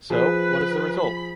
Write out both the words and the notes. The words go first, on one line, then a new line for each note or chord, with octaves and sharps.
So, what is the result?
F3 G#4 B4
B5